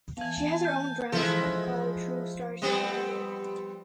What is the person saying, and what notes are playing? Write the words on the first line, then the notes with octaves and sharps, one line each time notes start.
She has her own drama school called True Stars Academy.
E3 B3 F5 G#5 A5
G6
F3 G#3 E4 A4
G3 B3 C4